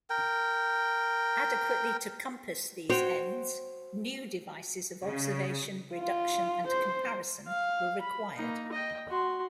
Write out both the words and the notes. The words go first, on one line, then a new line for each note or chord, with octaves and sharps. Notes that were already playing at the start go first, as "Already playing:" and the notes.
Adequately to compass these ends, new devices of observation, reduction, and comparison were required.
A#4 G5
F#4 C5 C#5 G5
C#3
F4
C5
F5
B5
A#3 D#4
D#5 G5
F#4 C6